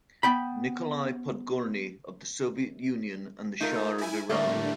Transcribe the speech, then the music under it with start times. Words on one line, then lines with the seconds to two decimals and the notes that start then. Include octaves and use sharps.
Nikolai Podgorny of the Soviet Union and the Shah of Iran.
0.23 B3 G5 B5
3.61 A3 D#4 F4 A#4
3.98 E4 G#5
4.29 A2 D3 G3 A3 A#3